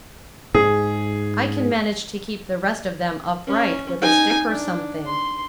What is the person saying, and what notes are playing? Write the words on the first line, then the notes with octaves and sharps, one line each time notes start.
"I can manage to keep the rest of them upright with a stick or something."
G#2 G#4
C#4
D#4 G#5
D4
C6